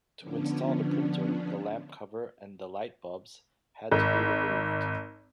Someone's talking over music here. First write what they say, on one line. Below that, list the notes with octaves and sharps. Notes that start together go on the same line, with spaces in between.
To install the printer, the lamp cover and light bulbs had to be removed.
D3 F3 B3 C#4 D4
G#1